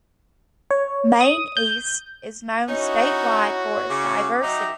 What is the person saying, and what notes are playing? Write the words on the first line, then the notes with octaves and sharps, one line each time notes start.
Maine East is known statewide for its diversity.
C#5
D#6
G6
C#4 D#4 E4 F#4 C#5
C#3 D6
F#3 D#4 E5 G5 A#5